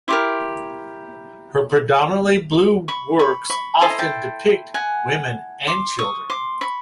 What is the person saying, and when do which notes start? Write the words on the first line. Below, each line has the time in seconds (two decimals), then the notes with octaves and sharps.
Her predominately blue works often depict women and children.
0.08 E4 G4 A#4 C6 D6
2.88 B5 C#6
3.19 B5 C#6
3.50 B5 C#6
3.81 E4 A4 C5 D#5 A5
3.90 A#5
3.99 G5 A5
4.74 F#5 G#5
5.67 C6 D6
5.99 C#6 D#6
6.30 C6 D6
6.61 B5 C#6